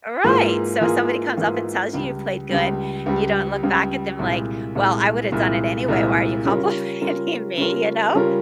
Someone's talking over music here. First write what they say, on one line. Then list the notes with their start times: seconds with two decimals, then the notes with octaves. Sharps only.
Right! So if somebody comes up and tells you you played good, you don't look back at them like, "Well, I woulda done it anyway, why are you complimenting me," you know?
0.24 G#2 E3 A#3 F4 G#4
0.81 G#2 E3 A#3 F4 G#4
1.37 G#2 E3 A#3 F4 G#4
1.93 C#2 C#3 G3
2.49 C#2 C#3 G3
3.06 C#2 C#3 G3
3.63 C#2 C#3 G3
4.19 C2 A#2 G#3 E4
4.75 C2 A#2 G#3 E4
5.32 C2 A#2 G#3 E4
5.88 C2 A#2 G#3 E4
6.45 C#3 G3 C#4 F4 A#4
7.01 C#3 G3 C#4 F4 A#4
7.57 C#3 G3 C#4 F4 A#4
8.15 C#3 G3 C#4 F4 A#4